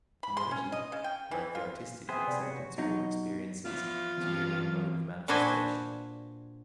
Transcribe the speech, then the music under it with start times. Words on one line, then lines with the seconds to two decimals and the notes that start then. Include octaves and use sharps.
Humility, like the artistic, acceptance of all experiences, is merely a mode of manifestation.
0.23 B5
0.37 C6
0.51 C#4
0.72 D#5
0.92 C#3
1.04 G5
1.31 E3
1.55 F4
2.09 B3 C4 G#4 C5 E5 G#5 D#6
2.27 C3 G3
2.42 C#3 F#4
2.78 B2 F#3 D#4
3.65 B3 F4 D5 E5
4.18 E3 C4 G5
5.28 A#2 D4 F#4 B4 C5 G#5